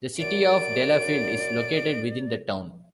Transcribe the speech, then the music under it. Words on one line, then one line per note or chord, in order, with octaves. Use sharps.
The City of Delafield is located within the town.
F#2 D5 D7